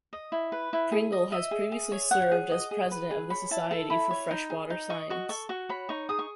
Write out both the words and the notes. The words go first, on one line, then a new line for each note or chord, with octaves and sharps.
Pringle has previously served as President of the Society for Freshwater Science.
D#5
E4
B4
E4
G#4
D#5
D#5 E5
G#4
G#4
C#5
C#5 F#5
G#4
D#5
G#4
B4
G#4
C#5 B5
E4 A5
A4 A5
E4 B5
C#5
D#4
G#4
D#4
D#5 C#6
F#4 C#6
A4 C#6
F#4 C#6
C#5 B5
D#4 C#6
G#4 D#6
C#6